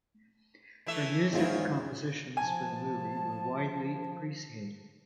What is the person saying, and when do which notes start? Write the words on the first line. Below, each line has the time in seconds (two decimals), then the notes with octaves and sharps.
Her music compositions for the movie were widely appreciated.
0.86 E3 A3 E5
1.33 E2 G#2 D#3 C#4 E4 F4
2.37 F3 G#5 A5